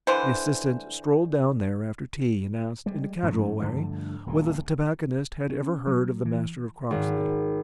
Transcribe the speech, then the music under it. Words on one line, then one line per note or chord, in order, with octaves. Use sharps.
The assistant strolled down there after tea and asked, in a casual way, whether the tobacconist had ever heard of the Master of Croxley.
D3 E3 C5
G3 G#3
G2 F3 A3 C#4
G2 D3 F3 A3
D#1 D2 G2
C#4
F#3
E3
G#1